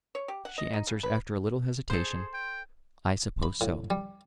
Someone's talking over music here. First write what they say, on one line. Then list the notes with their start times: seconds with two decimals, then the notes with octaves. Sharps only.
She answers, after a little hesitation, 'I suppose so.
0.15 C#5
0.28 G4
0.45 F#5
0.58 D#5
0.74 D#4
0.87 C#3
1.03 B4
1.90 G#4 A4 C5 C6
2.33 G5
3.43 B5
3.61 A2
3.90 G3